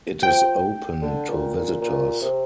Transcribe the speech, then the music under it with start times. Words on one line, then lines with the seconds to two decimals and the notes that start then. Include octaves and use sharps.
It is open to visitors.
0.23 F3 G5
1.02 D3
1.29 A#2
1.55 A#2
1.81 A#2
2.21 C3